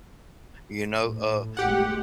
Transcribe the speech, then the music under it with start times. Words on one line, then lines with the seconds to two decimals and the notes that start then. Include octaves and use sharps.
you know, uh,
1.02 A2
1.57 G1 G#3 A3 G4 F#5